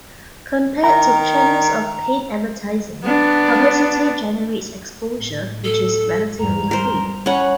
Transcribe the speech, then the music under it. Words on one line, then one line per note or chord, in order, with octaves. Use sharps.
Compared to channels of paid advertising, publicity generates exposure which is relatively free.
D#3 A#5
B3 D4
A2
A4
E2 G#2 G3 A#5
G3 A#4 C5
C#4 F#5 B5